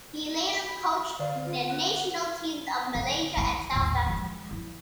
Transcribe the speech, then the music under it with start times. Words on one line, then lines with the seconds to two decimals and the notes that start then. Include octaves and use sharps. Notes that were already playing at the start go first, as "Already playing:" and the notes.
He later coached the national teams of Malaysia and South Africa.
0.66 B5
1.19 D3 D5 F5
1.46 F4
1.68 F#5
2.95 D3
3.37 D#4 E4
3.72 A1 D#2
4.07 F3 G#3
4.51 E4